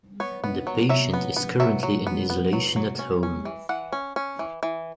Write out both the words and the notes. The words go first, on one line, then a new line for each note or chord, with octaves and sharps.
The patient is currently in isolation at home.
B3 C#5
B3
F#3
F#3 E5
B3
B3
F#3 E5
F#3
B3
B3
F#3
F#3
C#4
C#4
E3
E3 F#5
C#4
C#4
E3
E3